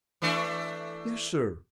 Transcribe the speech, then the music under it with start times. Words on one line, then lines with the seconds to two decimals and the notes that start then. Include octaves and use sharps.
"Yes, sir."
0.22 E3 A3 D4